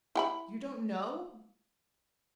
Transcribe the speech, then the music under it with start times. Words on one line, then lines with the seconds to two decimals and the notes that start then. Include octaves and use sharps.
You don't know!
0.15 E4 G5 B5